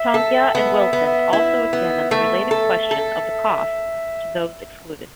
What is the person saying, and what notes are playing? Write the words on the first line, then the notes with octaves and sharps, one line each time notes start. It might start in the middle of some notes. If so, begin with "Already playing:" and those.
Tongia and Wilson also examine the related question of the costs to those excluded.
Already playing: E5
A4
B3 E5
E5
B3
E5
E4 E5
B3
A3 E5
A4
A4